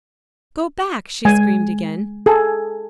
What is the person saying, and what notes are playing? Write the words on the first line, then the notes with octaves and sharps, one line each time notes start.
"Go back!" she screamed again.
G#3 G#5
G#4 A4